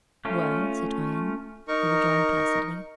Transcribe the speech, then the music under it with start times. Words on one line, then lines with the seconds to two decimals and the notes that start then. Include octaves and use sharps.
"Well, citoyenne?" he rejoined placidly.
0.25 A3 C#4 F4
1.68 D#4 A#4 C#6